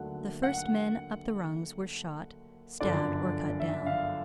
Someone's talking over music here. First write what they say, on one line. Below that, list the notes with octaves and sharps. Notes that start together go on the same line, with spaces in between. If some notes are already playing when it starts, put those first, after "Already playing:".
The first men up the rungs were shot, stabbed, or cut down.
Already playing: D#2 D3 F#3 A3 F#5
F#5
G1 F#2 D3 F3 D5
E5
F5